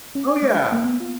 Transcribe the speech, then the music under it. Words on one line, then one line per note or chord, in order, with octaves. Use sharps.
Oh, yeah.
C#4
G#5
G#3
A5
A#3
B3
F4